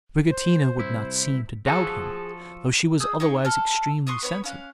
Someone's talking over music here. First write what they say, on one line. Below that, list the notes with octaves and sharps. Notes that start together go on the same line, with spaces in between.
Abricotina would not seem to doubt him, though she was otherwise extremely sensible.
C5
C2 E4
F3 F#4 G#4 A4
G#4 D#6 E6 G6
D#4 G#4 G5 C#6
A4 F6
C6 C#6 D#6 F#6
B3 C#5 B5
C#4 F5 F#6